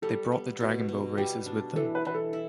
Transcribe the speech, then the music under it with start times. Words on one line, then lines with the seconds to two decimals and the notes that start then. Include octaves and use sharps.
They brought the dragon boat races with them.
0.02 G3 A4
0.32 B3
0.60 B2
0.89 B2
1.18 G3 G4
1.46 D4
1.76 E3 A4
1.95 B4
2.05 E3 B4
2.14 A4
2.33 E4